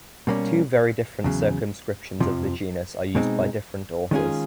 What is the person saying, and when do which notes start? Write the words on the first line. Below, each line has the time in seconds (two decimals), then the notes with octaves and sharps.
Two very different circumscriptions of the genus are used by different authors.
0.27 B2 G3 A#3 C#4
1.24 E2 C#3 F#3
2.20 F2 C3 F3
3.15 B2 G#3 C4 D#4
4.11 D#3 G#3 C#4 F4 G#4